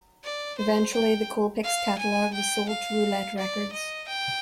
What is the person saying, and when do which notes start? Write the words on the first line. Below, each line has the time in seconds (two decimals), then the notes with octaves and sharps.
Eventually, the Colpix catalog was sold to Roulette Records.
0.24 D5
0.59 C5
0.94 G5
1.64 F5
1.99 G#5
2.34 G5
2.69 F5
3.38 D5
3.73 D#5
4.08 G5